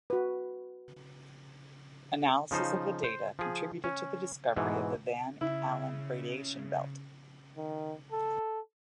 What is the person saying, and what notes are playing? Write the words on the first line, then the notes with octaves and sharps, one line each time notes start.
Analysis of the data contributed to the discovery of the Van Allen radiation belt.
F#4 B4
C#3 F3 D#4 C5
C5
F3 G#4
C#4
G#2 B2 E3
C#3 E4
D#3
A4